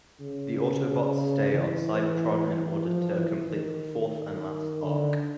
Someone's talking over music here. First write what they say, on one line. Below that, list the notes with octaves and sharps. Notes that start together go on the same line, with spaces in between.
The Autobots stay on Cybertron in order to complete the fourth and last Ark.
C#3
E3
F3
E3
D#3
D3